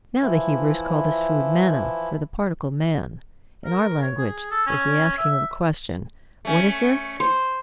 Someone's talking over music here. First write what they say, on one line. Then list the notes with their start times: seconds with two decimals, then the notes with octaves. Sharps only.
Now the Hebrews call this food manna: for the particle man, in our language, is the asking of a question. What is this?
0.22 E3 F3 E4
3.65 A#4
4.02 C#5
4.18 G#4
4.51 A4
4.67 C#4
5.18 E5
6.45 A3 C#4
7.20 C5